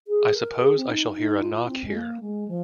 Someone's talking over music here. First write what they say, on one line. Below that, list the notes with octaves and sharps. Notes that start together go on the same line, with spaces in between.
I suppose I shall hear a knock here.
G#4
A#4
G#4
C4
D#4
D#4
F4
C4
G#3
A#3
G#3
F3